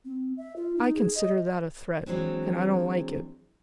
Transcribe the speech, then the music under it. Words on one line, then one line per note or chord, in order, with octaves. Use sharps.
I consider that a threat, and I don't like it.
C4
E5
F4
D#4
G#4
D#5
E3 F#3 G#3 C4 D4